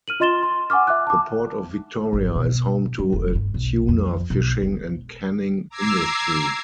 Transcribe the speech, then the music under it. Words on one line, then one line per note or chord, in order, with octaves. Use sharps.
The Port of Victoria is home to a tuna fishing and canning industry.
F6 D#7 F#7
F4 D#5 C6 A6 E7 G7
C6
F#5 G#5 C#6 D6 F6
E5 D6 F#6
A5 D6
G#1
B2
G3
F1
G2
B1
F2
B1
E1
A#5 D6 E6 G#6 C7